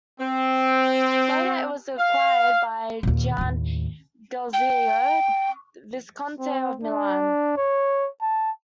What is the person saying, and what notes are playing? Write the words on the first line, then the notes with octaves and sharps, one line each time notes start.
Later it was acquired by Gian Galeazzo Visconti of Milan.
C4
F5
D#2 A#2
D#2 A2
G5
C4
D4
C#5
A5